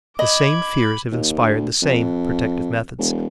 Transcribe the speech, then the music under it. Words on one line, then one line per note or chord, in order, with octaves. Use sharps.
The same fears have inspired the same protective methods.
D#5 B5 D6 G#6
D#2
D2
F2
E1